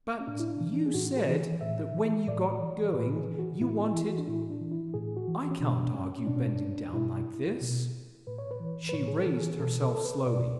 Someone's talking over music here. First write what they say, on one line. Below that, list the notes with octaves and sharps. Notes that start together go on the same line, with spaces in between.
"But you said that when you got going, you wanted---- I can't argue bending down like this." She raised herself slowly.
C#4
A2 D4
E4
D4
E3
D4
G#4
A2 F#4
G#4
E3
A2 E5
E3
A2 D5
E3
A2 B4
G#4
E3
F#4
A2 E4
E4
E3
F#4
D4
A2 E4
D4
E3
E4
A2 G#4
F#4
E3
C#4
B2 D4
C#4
B2 D4
C#4
D4
B2 E4
B2
A2 B4
C#5
B4
E3
B4
A2 C#5
G#4
A4
E3
A4
G#4
B2 A4
A4
A4
B4
B2 D5